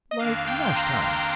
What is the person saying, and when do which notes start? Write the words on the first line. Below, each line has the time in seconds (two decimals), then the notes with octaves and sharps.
"Like last time?"
0.11 D#5
0.19 F2 D#3 A#3 D4 F5
0.47 G5
0.65 C6
0.75 A#5
1.03 G5